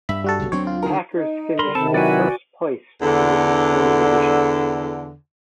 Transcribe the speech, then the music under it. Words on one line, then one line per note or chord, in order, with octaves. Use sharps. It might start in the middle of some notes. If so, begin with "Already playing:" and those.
The Packers finished in first place in the Eastern Division.
G2 E5 B5
G3 F#4 A4
B1 G2 C#3
D2 F#3 C4 D4 C#5
F4
D3 D#3 A#4
D#4
D3 G3 A#4 B5 C6
C3 D#3 C4 A4 A5 B5
F#3 E4 F#4 B4 D5 F#5 G#5
E2 D3